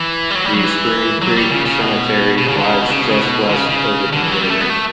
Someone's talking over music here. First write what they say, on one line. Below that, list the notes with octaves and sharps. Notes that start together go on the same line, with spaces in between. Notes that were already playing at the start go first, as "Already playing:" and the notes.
The Spring Creek Cemetery lies just west of the community.
Already playing: E3
G3
F#3
G3
F#3
E3
F#3
G3
C#3
C#3
B2
B2
C#3
D3
C#3
B2
C#3
B2
C#3
B2
D3
C#3
C#3
D3
E3
F#3
G3
A3
B3
A3